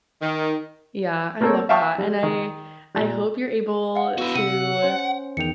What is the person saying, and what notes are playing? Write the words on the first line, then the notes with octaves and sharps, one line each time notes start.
Yeah, I love that and I I hope you're able to
D#3
A3 A#3 C4 A4 A#4 C#5
E5 F5 G5 A5 C#6 D#6
G3
D#3
A#2 G3
F5 F#5
B3 E4 F#4 E6
C3 F#5 E6 D#7
C#4 C5
E2 D#3 G5 C#7 F7